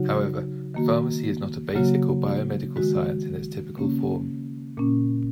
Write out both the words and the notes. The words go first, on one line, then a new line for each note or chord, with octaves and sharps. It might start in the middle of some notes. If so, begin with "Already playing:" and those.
However, pharmacy is not a basic or biomedical science in its typical form.
Already playing: C#3 F#3 D#4 F#4
D#3 A#3 F#4
C#3 F#3 A#3 F#4
D#3 G#3 F#4
C#3 A#3 C#4
A#2 A#3 C#4